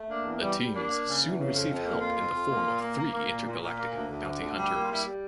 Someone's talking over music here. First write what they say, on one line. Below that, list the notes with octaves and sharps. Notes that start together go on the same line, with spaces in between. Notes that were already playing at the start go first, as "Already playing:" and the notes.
The teens soon receive help in the form of three intergalactic bounty hunters.
Already playing: A3
A#3 D4
E2
G3
G3
A#3 D4
A#3
C#3
E2
C#3
F2
F2
A#3
F2 F4
F2
F2
A#3
A#2
A#3
A#3
A#3
A#2
A#2
A#2
A#3
D2
D2
D3
D2
G3 D4
A#3 G4
F4
G3 E4
G3